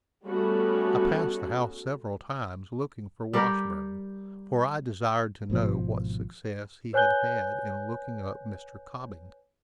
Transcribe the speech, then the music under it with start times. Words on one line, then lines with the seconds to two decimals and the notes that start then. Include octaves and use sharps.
I passed the house several times, looking for Washburn, for I desired to know what success he had had in looking up Mr. Cobbington.
0.26 G3 A3 B3 C#4 F#4
3.33 G3 G4 A#4
5.50 G#1 B2 F3
6.93 B4 C#5 G#5 F#6 G6 G7